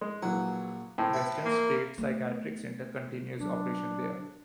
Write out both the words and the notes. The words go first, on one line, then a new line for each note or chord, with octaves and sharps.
Western State Psychiatric Center continues operations there.
G#3
A#1 E3 F#3 F#5
A2 C4
E4 B4
A#3
A3 B3
F#3 D4